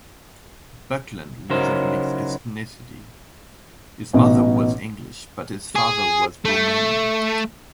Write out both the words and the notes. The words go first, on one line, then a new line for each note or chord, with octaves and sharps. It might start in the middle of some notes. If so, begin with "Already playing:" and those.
Buckland was of mixed ethnicity; his mother was English, but his father was Romani.
C#3 F#3 D#4 E4 A#4 C5
A1 B2 D#4
G#4
A3